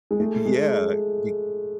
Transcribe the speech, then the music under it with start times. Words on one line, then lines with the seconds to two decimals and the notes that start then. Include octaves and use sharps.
yeah, you
0.11 G#3
0.20 A3
0.45 G#3